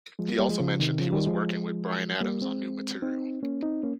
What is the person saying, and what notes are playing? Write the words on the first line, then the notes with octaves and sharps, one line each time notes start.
He also mentioned he was working with Bryan Adams on new material.
F3 G#3
G3 A#3
G3 A#3
F3 G#3
C#3 F3
C3 D#3
C#3 F3
D#3 G3
F3 G#3
G3 A#3
G#3 C4
C4 D#4
A#3 C#4
C4 D#4
A#3 C#4